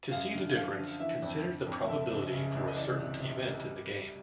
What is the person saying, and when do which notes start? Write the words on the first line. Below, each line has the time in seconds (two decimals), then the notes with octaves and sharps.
To see the difference, consider the probability for a certain event in the game.
0.12 F#2 F5
0.34 D3
0.56 F3 F5
0.79 D3
1.00 E3 E5
1.22 F2
1.44 F2
1.67 F2
1.88 F3 E5
2.10 C#2
2.32 C#3
2.55 C#2
2.68 D#5
2.76 E3 D5
2.99 C2
3.20 C3
3.42 C2
3.65 G3
3.87 G3